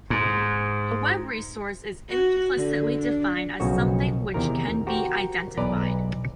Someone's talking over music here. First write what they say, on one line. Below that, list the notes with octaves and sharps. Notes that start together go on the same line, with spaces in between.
A web resource is implicitly defined as something which can be identified.
G#2
F#4
D3
D4
B1 C#3 F3 A#3 F#4 C#5
E2 C3 D#3 A#4
F#4 G4 A#4 C5 G5
B1 E2 B4 D5 A#5